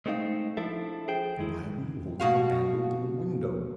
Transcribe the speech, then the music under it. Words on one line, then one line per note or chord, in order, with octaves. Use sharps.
"And why were you holding a candle to the window?"
G#3 A3 C4 D#4 F5
F3 D4 E4 A4 E5
G#4 C5 G5
D#3 G#3 E4
B2 F#4 F5